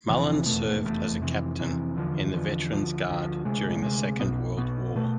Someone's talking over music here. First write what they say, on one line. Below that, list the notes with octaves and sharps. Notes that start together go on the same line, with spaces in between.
Mullin served as a captain in the Veterans Guard during the Second World War.
F1 F2 C3 E3
F1 E2 B2 A3
F1 E2 B2 A3
F2 C3 E3
F2 C3 E3
E2 D3 F3
E2 D3 F3
D2 D3 F3
D2 D3 F3
D2 C3 G#3
D2 C3 G#3
B1 B2 B3
B1 B2 B3
B2 A3